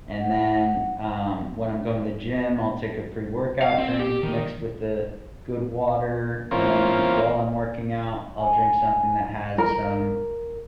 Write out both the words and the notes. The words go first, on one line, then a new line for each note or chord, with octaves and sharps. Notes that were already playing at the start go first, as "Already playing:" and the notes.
and then, um, when I'm going to the gym, I'll take a pre-workout drink mixed with the good water, and then while I'm working out, I'll drink something that has some,
F#5
F5
C4
G4
D#3
E3 A#3 C4 C#4 F4 A#4
G#5
A#4